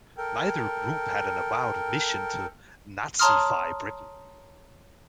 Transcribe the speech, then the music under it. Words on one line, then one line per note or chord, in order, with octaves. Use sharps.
Neither group had an avowed mission to Nazify Britain.
A4 A#4 G5
C#5 A5 A#5 C6 D#6 F6